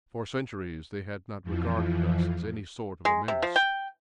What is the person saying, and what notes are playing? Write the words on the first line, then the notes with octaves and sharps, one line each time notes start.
For centuries they had not regarded us as any sort of a menace.
F2 E3 F3
G#3
C3
F3
G5